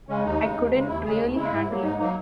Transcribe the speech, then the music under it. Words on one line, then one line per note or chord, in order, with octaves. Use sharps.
I couldn't really handle it.
C#3 G#3 C#4
D#2 D#4
C#3 G#3
D#2
C#3 G#3
D#2 E4
C#3 G#3 G#4
D#2
C#3 G#3 E4
G#2
F#3 A#3
G#2 D#4
F#3 A#3 D#4